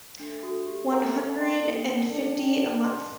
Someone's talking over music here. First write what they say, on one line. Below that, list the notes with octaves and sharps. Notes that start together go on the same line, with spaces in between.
One hundred and fifty a month.
A3 D4
F#4 A4
G4
A#4 F#5 A#5 D6
A#4
D#5 G5 C6
A#3 A4
D5 F#5 A5
D4 A4
D5 G5
A#4
D#5 A5 C6